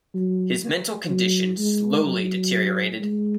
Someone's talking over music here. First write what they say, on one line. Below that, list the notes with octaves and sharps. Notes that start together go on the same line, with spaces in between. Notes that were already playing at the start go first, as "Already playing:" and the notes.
His mental condition slowly deteriorated.
F#3
F#3
G#3
F#3
G#3